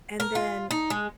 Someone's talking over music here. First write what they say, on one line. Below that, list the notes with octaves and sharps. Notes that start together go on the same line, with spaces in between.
and then
A#4
F4
D#4
G#3